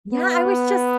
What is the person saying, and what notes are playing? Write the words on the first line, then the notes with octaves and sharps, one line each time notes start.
Yeah, I was just
B3